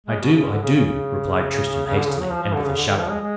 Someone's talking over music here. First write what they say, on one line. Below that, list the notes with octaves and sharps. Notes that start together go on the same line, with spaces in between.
"I do--I do," replied Tristram hastily, and with a shudder.
G#3
B2
C#3
D3
C#3
C#3
C#3
C#3
D3
C#3
F#3
F3
F3
D3
C#3
D3
D3
F3
G#3
G#3